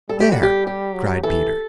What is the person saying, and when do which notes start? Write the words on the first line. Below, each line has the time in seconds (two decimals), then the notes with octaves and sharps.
"There!" cried Peter.
0.09 G3 A4
0.20 G4
0.32 F#4
0.43 G4
0.67 G4
0.95 F#3
1.23 E3 A4